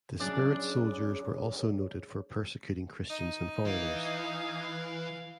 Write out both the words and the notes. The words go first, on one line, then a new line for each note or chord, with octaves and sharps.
The Spirit Soldiers were also noted for persecuting Christians and foreigners.
F#3 C#4 D4 E4 G#4 C#5 D5
D#4
E3 F5